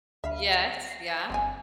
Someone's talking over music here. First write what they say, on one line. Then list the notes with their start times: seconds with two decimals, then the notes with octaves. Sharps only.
Yes, yeah.
0.24 D2 E5 F5 B5
0.85 A#6 C7
1.30 G1 C4 F#5 G#5